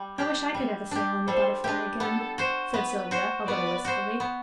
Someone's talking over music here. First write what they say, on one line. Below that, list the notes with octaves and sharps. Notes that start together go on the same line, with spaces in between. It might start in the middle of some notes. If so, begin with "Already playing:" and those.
"I wish I could have a sail in the Butterfly again," said Sylvia, a little wistfully.
Already playing: G3
D4 G4
G3
D4 G4
G3 A4 C5
D4 G4 B4
B3 A4
F#4 C5
B3 B4
F#4 C5
B3 B4 D5
F#4 C5
B3